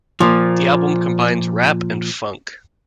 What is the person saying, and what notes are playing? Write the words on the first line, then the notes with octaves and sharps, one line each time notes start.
The album combines rap and funk.
A#2 F3